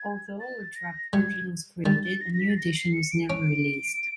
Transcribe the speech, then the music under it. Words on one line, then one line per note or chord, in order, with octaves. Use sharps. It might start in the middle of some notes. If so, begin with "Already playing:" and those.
Although a draft version was created, a new edition was never released.
Already playing: G#6
A6
A#6
G3 G#6
G3 A6
A6
A#6
A#6
B6
A6
A#6
C7
C#7
D7
C#4 D7